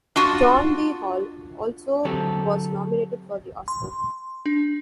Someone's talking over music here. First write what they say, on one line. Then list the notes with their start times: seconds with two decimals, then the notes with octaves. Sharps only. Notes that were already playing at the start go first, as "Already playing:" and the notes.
John D. Hall also was nominated for the Oscar.
0.16 D4 F4 F#4
2.05 D3 F#3 C4 G4 A4
3.68 C6
4.46 D4